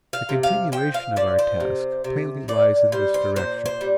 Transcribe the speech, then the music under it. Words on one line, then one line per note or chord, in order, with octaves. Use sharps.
The continuation of our task plainly lies in this direction.
F5
C3
F5
F3 G5
F5
F3 D5
C5
C3
C3
A#2 D5
G3 C5
C5
A#2 C5
C5
G3